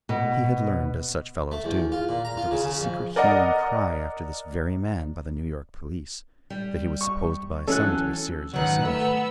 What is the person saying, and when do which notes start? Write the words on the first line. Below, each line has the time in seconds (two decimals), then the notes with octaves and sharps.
He had learned, as such fellows do, that there was a secret hue and cry after this very man by the New York police; that he was supposed by some to be Sears himself.
0.09 B2
1.52 A3
1.64 E2
1.92 F4
2.09 A#2
2.25 A#5
2.37 F4
2.51 C#3
2.64 C#3
2.80 F2
3.16 A#4 D5 D#5 F#5
6.50 G3
7.01 C#6
7.67 E3 F#3 C#4 A4 F#6
8.54 G#2 D#3 F#3 B4 F#5 F#6
8.85 A3 B3 B5 E6